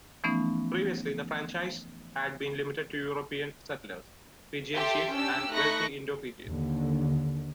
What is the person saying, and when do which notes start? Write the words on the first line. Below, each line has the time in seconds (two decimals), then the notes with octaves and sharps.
Previously, the franchise had been limited to European settlers, Fijian chiefs, and wealthy Indo-Fijians.
0.24 E3 F3 A3 B3 C#4 D#4
4.74 G4 A4 E5 G5 C6
5.12 C#4 D4 G4 E6
5.51 A3 D#4 B5 C#6 F#6 A#6
6.49 D#2 D3